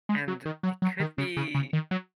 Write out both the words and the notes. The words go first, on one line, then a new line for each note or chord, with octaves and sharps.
and it could be
G#3
F#3
D#3
F#3
F#3
D#3
C#3
C#3
C#3
D#3
F#3